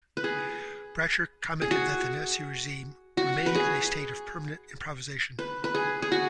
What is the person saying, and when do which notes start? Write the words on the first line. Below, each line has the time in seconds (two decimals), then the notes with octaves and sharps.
Bracher commented that the Nazi regime "remained in a state of permanent improvisation".
0.17 B4
0.24 G#4
1.62 G#4
1.71 F#4
3.17 F#4
3.46 B4
3.55 G#4
5.39 B4
5.64 B4
5.75 G#4
6.02 G#4
6.12 F#4